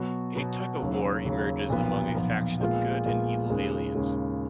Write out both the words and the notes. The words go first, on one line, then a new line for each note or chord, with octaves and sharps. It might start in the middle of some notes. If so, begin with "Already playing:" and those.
A tug-of-war emerges among a faction of good and evil aliens.
Already playing: B2 F#3 B3 F#4
B2 F#3 B3 F#4
D#2 C#3 F#3
D#2 C#3 F#3
B1 A#2 F3 B3
B1 A#2 F3 B3
A#1 A#2 G#3 B3 F4
A#1 A#2 G#3 B3 F4
D#2 C#3 G#3
D#2 C#3 G#3